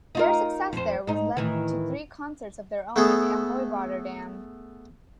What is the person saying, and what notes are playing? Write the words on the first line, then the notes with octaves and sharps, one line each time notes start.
Their success there led to three concerts of their own in Ahoy Rotterdam.
D#4 F4 A#4
F2 C5
G#2 D#4
A2 D#3 E3
A3 B3 G#4 A4